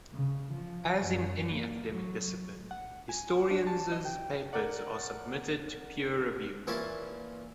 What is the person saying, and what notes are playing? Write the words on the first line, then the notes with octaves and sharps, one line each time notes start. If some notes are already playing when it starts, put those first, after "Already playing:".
As in any academic discipline, historians' papers are submitted to peer review.
C#3
F3
F#2
A#3
F#3
F#5
G#5
D4
A5
D#5
G5
A#4 D5 F#5
A#2 E3 C#4 E4 F4 A5